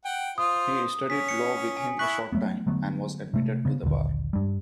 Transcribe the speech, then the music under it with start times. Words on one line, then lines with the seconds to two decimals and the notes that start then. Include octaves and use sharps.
He studied law with him a short time and was admitted to the bar.
0.05 F#5 G5
0.38 F4 C5 D#6
1.10 C#4 B6
1.29 C#7
1.77 G#5
1.99 E4 C#6 F#6 B6 F#7
2.32 F#3 A3 B3
2.67 D3 F#3 A3 B3
3.34 C3 A3
3.65 C#3 B3
3.84 D#1 A#1 D3
4.33 G2 G3